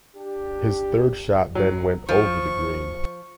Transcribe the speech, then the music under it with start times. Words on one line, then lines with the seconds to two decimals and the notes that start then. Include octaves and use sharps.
His third shot then went over the green.
0.16 D4 G4
1.55 F#3
2.09 F3 C#6